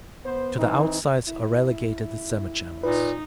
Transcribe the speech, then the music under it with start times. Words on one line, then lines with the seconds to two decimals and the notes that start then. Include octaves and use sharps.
To the outsides are relegated the semichannels.
0.25 B3 C5
0.58 E3 C4 D#4
1.26 E4
2.83 A#2 D#4 B4